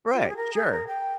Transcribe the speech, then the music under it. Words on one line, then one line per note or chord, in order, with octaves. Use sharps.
Right, sure.
F4
G4
G#4
A#4
G#4
C5
A#4
G5